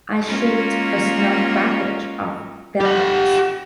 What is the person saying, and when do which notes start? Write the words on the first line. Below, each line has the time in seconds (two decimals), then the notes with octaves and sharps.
I shipped a snug package of velvets.
0.25 G#3 A#3 C#4 F4 F#4 A#4
2.81 G4 F#5